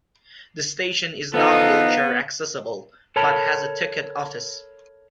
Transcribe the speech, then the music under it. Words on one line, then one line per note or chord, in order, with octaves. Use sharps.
The station is not wheelchair accessible, but has a ticket office.
E3 F3 B3 D#4 A4 F5
A4 A#4 C#5 A5 B5